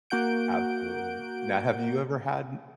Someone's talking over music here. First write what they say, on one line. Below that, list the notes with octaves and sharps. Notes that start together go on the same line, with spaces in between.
Absolutely. Now, have you ever had n
A#3 F#4 F#5 G6 D7